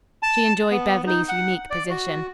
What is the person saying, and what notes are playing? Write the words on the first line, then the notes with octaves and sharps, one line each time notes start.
She enjoyed Beverly's unique position.
A5
B3
D#4
F#5
D5
F#4